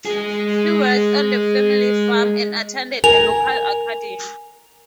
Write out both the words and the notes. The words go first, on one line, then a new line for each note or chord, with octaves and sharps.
He worked on the family farm and attended a local academy.
G#3 G#4
A#4 G#5 F7